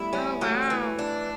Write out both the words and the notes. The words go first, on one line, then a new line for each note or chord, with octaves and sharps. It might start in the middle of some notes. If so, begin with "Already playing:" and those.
Oh, wow.
Already playing: G3 A3 B3 E4
G3 C#4
F#3 A3
E3
D4